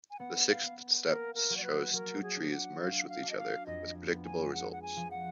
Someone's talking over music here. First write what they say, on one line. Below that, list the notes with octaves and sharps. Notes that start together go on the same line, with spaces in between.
The sixth step shows two trees merged with each other, with predictable results.
G#5
B3 F#5
F5
B3
A#3 A#4
A#4
F#3
D5
B4
F#3 A#4
G#4
D4
F#5
F#4 F5
F5
D4
D#5
F5
F2 D#5
B3
G#5
G#3 F#5
F#5
G#5
F3
F#5